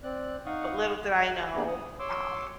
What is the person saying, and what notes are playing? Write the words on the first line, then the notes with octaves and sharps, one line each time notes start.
But little did I know, um,
C4 D5 F#6
D#4 F5 F#5 C#6 D#6
D#5
A#3 B3 D4 G4 G#4
D#6
C#5 C6 D6 E6